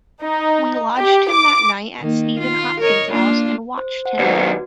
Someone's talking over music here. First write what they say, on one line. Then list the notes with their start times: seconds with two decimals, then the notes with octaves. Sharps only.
We lodged him that night at Stephen Hopkins' house, and watched him.
0.21 D#4
0.96 G4
1.30 D6
2.00 D#3 A#3
2.39 F4
2.80 A#4 C#5 D#5
3.10 A#3 D4 F4
3.78 C5
4.05 C5 F#5
4.19 D#2 F#3 B4 D5
4.35 F#4